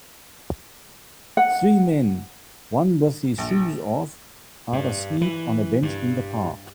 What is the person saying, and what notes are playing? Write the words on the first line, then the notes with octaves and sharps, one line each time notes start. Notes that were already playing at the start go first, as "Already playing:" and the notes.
Three men, one with his shoes off, are asleep on a bench in the park.
F#5
A#1
G2
E3
G2